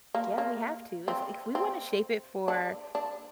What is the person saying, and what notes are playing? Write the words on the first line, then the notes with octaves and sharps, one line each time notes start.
Yeah, we have to. If if we wanna shape it for,
A#3
A#3
C4
C4
D4
D4